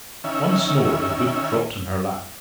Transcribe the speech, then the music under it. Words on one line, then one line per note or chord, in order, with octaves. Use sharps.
Once more the book dropped on her lap.
D#3 C#4 E5